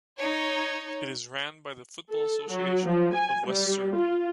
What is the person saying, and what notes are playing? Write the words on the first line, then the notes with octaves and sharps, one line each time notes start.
It is ran by the Football Association of West Serbia.
D#4 C#5
A4
F#3
F3
G#5
G3
F4